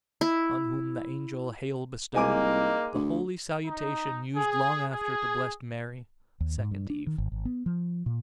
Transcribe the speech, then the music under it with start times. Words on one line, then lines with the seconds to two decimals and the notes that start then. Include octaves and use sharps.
On whom the Angel HAILE Bestowd, the holy salutation us'd Long after to blest MARIE, second EVE.
0.21 E4
2.14 C2 G#3 A#3 D#4 G#5 D6
2.94 D2
3.65 D#4
4.37 G#4
4.91 G#4
6.40 D#2
6.58 G#2
6.71 G2
6.90 D4
7.07 D#3
7.18 G#1
7.32 G#1
7.45 B3
7.66 F3
8.06 A#2